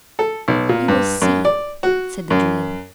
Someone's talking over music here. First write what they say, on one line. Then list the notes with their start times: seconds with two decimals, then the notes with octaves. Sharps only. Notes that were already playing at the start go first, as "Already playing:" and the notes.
"You will see," said the dream.
0.19 A4
0.48 B1
0.69 A#2
0.88 G2
1.22 F#2
1.45 D5
1.83 F#4
2.30 F#2